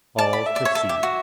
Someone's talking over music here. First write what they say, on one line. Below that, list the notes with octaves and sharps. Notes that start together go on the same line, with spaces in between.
All to see.
D5 A5
B5
E5
D5
C#5
A4
G4
F#4